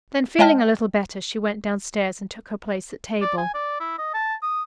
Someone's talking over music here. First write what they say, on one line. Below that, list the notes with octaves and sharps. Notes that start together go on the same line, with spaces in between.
Then, feeling a little better, she went downstairs, and took her place at table.
G#3 C#5 D#5 G5 A5 F6
D5
G#5
D5
E4
D#5
A5
D#6